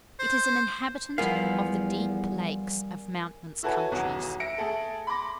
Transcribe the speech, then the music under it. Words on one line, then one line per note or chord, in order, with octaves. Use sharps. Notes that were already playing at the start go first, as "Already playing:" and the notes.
It is an inhabitant of the deep lakes of mountainous countries.
C5
E2 F3 G3 B3 A#4 F5 G#5
E4 F#4 A4 B4 C#5 G#5
D#1 B1 E2 F#3 F#4
E5 A#6 C#7 D7
A3 G#4 A4
B5 C6 D6 A#6